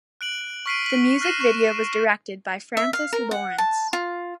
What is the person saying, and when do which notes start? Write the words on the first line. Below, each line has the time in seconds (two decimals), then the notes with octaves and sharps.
The music video was directed by Francis Lawrence.
0.21 F#6 D7 F#7
0.66 C#6 F6 B6 C7 D7 D#7
0.85 B6 F#7
1.21 F6 F#6 A#6 C7 D#7 E7
1.40 C#6 E7
1.61 E7
2.77 E5
2.93 F5
3.13 A#4
3.31 F#5
3.58 A5
3.93 F4